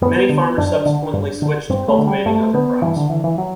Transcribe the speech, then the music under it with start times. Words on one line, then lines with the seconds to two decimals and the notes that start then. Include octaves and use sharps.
Many farmers subsequently switched to cultivating other crops.
0.01 F#2 B3
0.29 D3
0.57 F#2 D4
0.86 D3
1.13 G2
1.42 D3
1.69 G2 C4
1.88 A3
1.98 D3
2.07 G3
2.26 G2 A3
2.54 D3 B3
2.82 G2 E3
2.96 D3
3.09 D3 E3
3.24 E3
3.38 F#3